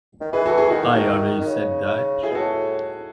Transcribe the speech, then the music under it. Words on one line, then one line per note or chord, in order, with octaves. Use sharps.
I always said that.
D#3
E3 G#4 B4
F#4 A4
E4 G#4
D#3 F#4
E4
D#4 F#4
D#3
C#3
C#3
A2 E4 G#4
B2
A2 F#4 A4